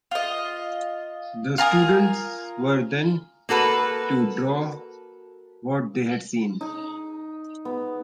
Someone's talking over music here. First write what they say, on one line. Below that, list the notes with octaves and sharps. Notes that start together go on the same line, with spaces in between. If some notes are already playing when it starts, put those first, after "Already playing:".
The students were then to draw what they had seen.
F4 D#5
F4 A#4 G#5 D#6
A#3 F#4 A4 B4
D#4
B3